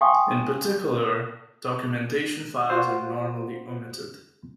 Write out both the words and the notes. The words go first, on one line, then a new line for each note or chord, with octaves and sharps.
In particular, documentation files are normally omitted.
F5 G5 G#5 C6 C#6 D#6
F4 F#4 C5